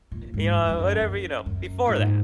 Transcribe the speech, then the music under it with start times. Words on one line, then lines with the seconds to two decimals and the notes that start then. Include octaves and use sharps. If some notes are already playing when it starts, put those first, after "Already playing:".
you know, whatever you know, before that,
0.12 A#2
0.34 G#2
0.56 F2
0.69 F2
0.79 F#2
1.01 F#2
1.46 F#2
1.87 A#2
1.91 G#2